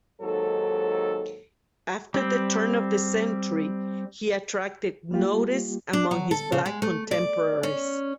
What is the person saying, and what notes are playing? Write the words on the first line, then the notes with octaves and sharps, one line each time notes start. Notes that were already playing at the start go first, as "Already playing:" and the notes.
After the turn of the century, he attracted notice among his black contemporaries.
D#2 G#2 F#3 A4
G3 C4
G3 A#3 F4 G4
D4
F#3
A4
C#3
G#3
A3
D5
C#4